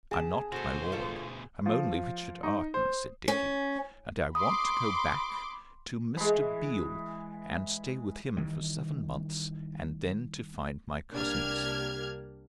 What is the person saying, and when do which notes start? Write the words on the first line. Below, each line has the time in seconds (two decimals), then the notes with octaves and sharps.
"I'm not 'my lord'; I'm only Richard Arden," said Dickie, "and I want to go back to Mr. Beale and stay with him for seven months, and then to find my cousins."
0.11 C#3 G#4 A5
0.52 D2 B2 F#4 A4 C5
0.92 F4 A4
1.66 F3
2.43 D#4
2.74 C5
3.28 C#4
4.35 B5 C6 D6 D#6
6.17 E3 G#3
8.37 D#3 E3 G3
11.13 C2 A#3 D4 G4 F6 G#6